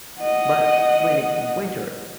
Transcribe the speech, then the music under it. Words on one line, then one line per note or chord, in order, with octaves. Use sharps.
but, when it's winter,
D#5 F#5